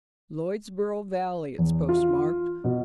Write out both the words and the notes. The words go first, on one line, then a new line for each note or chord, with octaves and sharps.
Lloydsboro Valley it's postmarked.
E2
F4
B2